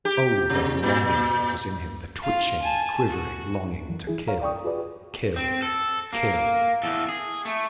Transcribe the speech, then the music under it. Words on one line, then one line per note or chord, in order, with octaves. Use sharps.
Oh, the longing that was in him, the twitching, quivering longing to kill--kill--kill!
G4
C3
A#2
F4 F5
G#5 A5
F#4
F#2 E3
E3 E4 G#4
C#5 F5 A#5
D5 G5 C#6 D#6
F4 F#4 G#4 B4 D5
C4
A4
A#3
E2 A4
G#4
A3